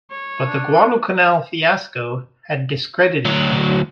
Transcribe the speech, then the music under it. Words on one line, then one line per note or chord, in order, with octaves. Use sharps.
But the Guadalcanal fiasco had discredited him.
C#5
D4
D2 F#3